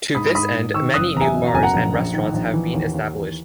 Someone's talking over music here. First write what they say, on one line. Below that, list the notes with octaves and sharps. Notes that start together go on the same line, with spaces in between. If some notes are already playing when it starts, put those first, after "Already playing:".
To this end many new bars and restaurants have been established.
G#2 B5 D#6
G#2 B5 D#6
G#2
D#3 C#6 E6
F#1 D#6 F#6
E2 A#5
E5 G#5
B2
A#5
F#1 G#5
F#5 A#5
A#1
A#1
D#3
A#1
E3
D#2
D#2
E3